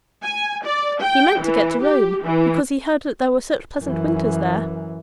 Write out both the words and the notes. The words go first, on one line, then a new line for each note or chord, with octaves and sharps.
He meant to get to Rome, because he heard that there were such pleasant winters there.
G#5
D5
G5
E3
G4
E3
F#2 E3